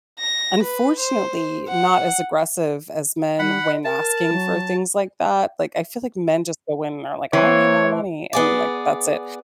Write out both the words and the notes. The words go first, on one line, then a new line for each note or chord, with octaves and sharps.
unfortunately not as aggressive as men when asking for things like that, like, I feel, like, men just go in and are like, "I need more money," and, like, that's it,
A#6
B4
C5
F#5
G3 F#5 B5
D#5
A#4 A5
F#3
E3 C4 C#5
B3 G#4 D5